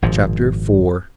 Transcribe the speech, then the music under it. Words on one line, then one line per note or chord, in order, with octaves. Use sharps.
Chapter IV.
G#1 A#2 F3